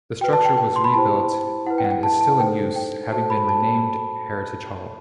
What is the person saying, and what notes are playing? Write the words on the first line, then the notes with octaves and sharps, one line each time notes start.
The structure was rebuilt and is still in use, having been renamed Heritage Hall.
F#4 B4 G5
A5
G5
G5
C6
B5
E4 G4 C5 A5
E4 B4 F#5
G5
F#5
G5
A5
A5
D#4 A4 C5 G5
G5
F#4 A4 C5 A5
B5
A5
A5